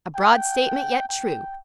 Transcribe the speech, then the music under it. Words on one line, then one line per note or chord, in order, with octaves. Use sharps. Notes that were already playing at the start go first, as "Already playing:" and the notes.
A broad statement, yet true.
G5
G5